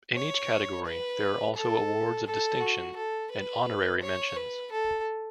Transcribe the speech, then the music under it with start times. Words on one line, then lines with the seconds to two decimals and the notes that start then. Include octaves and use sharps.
In each category, there are also Awards of Distinction and Honorary Mentions.
0.16 C#5
0.86 B4
1.55 A4
2.26 A4
2.60 F#4
2.96 A4
3.31 B4
4.01 C#5
4.36 B4
4.72 A4